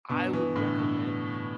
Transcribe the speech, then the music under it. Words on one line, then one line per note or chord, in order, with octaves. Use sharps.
I would recommend
G2 B2
B2 E3
A2 D3
G2 B2